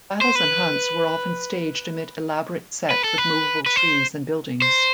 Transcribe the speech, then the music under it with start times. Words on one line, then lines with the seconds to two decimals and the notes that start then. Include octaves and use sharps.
Battles and hunts were often staged amid elaborate sets with movable trees and buildings.
0.21 C5
0.35 B4
2.91 B4
3.04 A4
3.18 B4
3.66 B4
3.76 C5
4.62 C5